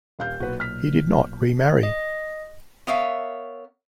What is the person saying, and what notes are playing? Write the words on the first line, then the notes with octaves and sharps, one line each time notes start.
He did not remarry.
D#1 F5 G6
B1 A#2 F#4 B4
F6 B6
D#5
B3 A#4 C#5 E5 F5